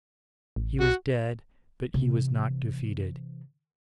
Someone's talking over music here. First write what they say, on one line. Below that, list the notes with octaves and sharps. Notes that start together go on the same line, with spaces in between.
He was dead, but he was not defeated.
A1
B1 F#4
C3 E3